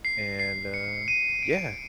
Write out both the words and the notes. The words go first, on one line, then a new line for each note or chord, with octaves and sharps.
and, uh, yeah,
C7
C7
C#7
D#7
D7